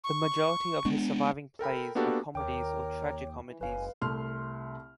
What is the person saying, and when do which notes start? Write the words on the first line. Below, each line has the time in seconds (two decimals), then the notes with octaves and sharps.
The majority of his surviving plays are comedies or tragicomedies.
0.04 C#6
0.85 G#3 B3 D4
1.59 A4 A#4 G5 B5
1.95 A#3 B3 D4 F#4 G4 A4
2.35 D#2 A#4 C#5 G5 D6
3.45 E3
3.61 F#1 B4 C#5 F5 G#5
3.75 G#3
4.01 C2 A3 C6 F6